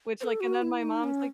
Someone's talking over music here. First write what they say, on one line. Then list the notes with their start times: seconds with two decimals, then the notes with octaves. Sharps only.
Which, like, and then my mom's like
0.21 C5
0.24 A4
0.40 F#4
0.62 E4
0.82 D#4
1.04 C#4